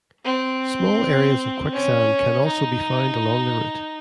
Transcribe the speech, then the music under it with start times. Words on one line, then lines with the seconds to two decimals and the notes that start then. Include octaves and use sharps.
Small areas of quicksand can also be found along the route.
0.25 C4
1.72 C#4
2.46 D#4